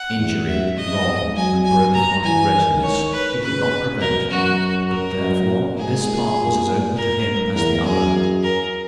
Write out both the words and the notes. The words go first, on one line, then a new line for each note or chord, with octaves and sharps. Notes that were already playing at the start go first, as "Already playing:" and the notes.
Injury, wrong, and broken-hearted wretchedness, he could not prevent; but, therefore, this part was as open to him as the other.
Already playing: F#5
E2
F#2 E5
G#2 D#5
G#2
F#3 G#5
G#5
A#5
E3 G#5
D#3
C#5
B4
C#3 B4
B2 A#4
F#2 F#4
A#4
F#2
G#2 G#4
A#2
A#2
A#4
E2 A#4
F#2 G#4
A#4